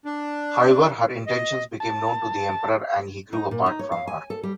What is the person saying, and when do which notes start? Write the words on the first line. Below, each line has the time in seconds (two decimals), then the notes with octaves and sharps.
However, her intentions became known to the emperor and he grew apart from her.
0.05 D4
1.27 D#5
1.80 A5
3.33 D#4
3.51 A#2
3.66 D#4
3.79 C#5
3.92 F5
4.07 G#5
4.30 A4
4.43 G3